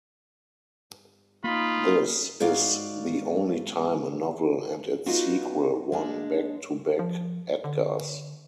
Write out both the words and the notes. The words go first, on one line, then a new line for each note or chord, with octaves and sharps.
This is the only time a novel and its sequel won back-to-back Edgars.
A#3 D#4 F4 B5
G#2 F#4 D5 F5
B3 D#4 F4 F#4
G#3 A#3 D4
F3
D3